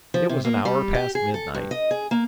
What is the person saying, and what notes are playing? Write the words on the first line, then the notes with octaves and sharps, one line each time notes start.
It was an hour past midnight.
F3
C3
A#3
G3
G4
G#4
A4
G2
D#5
G#4
A#3